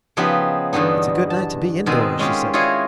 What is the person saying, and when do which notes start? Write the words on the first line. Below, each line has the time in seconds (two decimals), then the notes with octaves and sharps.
"It's a good night to be indoors," she said.
0.17 C#3 F3 B3 D#4 G4 B4
0.73 E2 G2 D3 B3 D#4
1.30 A5
1.86 B2 D#3 G#3 C4
2.19 G#3 C#4 F4 G4
2.53 E4 F4 G#4 C#5 D#5 F#5